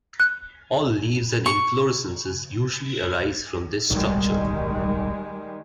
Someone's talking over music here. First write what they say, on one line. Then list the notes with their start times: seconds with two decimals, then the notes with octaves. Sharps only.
All leaves and inflorescences usually arise from this structure.
0.20 F#6
1.46 C#6
3.90 D1 B1 G#2 D#3 G3 G#3